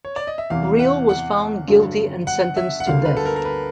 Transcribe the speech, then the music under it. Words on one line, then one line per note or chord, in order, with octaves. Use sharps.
Riel was found guilty and sentenced to death.
C#5
D5
D#5
E5
E2 C3 E3 F5
F#5
F#5
G2 D3 F#3
F#5
E5
F#5
D2 D3 G3 A#3 F5
B4
A4
A#4
A#4
B4